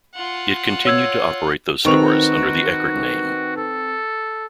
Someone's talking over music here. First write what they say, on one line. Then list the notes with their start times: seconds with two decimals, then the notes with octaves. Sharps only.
It continued to operate those stores under the Eckerd name.
0.15 F4 F#5
0.85 C#5 E6 G#6
1.85 D#3 C4 D#4 F#4 B4 C#6 F7
3.57 A4